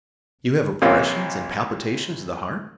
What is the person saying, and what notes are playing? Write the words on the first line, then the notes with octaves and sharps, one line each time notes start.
You have oppressions and palpitations of the heart?
A#1 C3 A#3 C#4 F4 C5